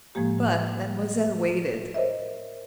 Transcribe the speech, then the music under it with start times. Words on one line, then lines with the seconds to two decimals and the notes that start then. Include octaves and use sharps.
But Mademoiselle waited.
0.15 A2 F3 G#3 A#3 G4
1.94 A#4 C5 C#5 D#5 E5